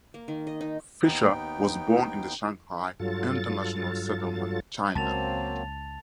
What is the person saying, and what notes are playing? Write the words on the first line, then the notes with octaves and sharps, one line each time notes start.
Fischer was born in the Shanghai International Settlement, China.
A#3
D#3
D#5
D#4
D#2 B3 D#4 G5
G2 F#3 F4 A4 A6
C#2 F#3 A#3 C4 A5 A6 F7